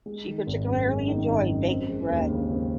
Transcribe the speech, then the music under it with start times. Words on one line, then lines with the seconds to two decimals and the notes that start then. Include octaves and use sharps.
She particularly enjoyed baking bread.
0.06 G#3
0.26 D#3
0.47 G#1
0.67 F#2
0.87 G#3
1.08 D#3
1.28 G#1
1.48 F#2
1.69 C4
1.89 G#3
2.09 D#2
2.30 C#3
2.50 C4